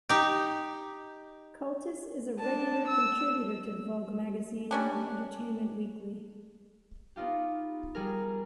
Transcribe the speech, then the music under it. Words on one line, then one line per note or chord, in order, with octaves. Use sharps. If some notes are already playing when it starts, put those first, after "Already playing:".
Cultice is a regular contributor to Vogue magazine and Entertainment Weekly.
D#4 G4
D4 A5
E6
G3 C#4 D4
B3 D#4 F4 G4
G3 G#4 A#4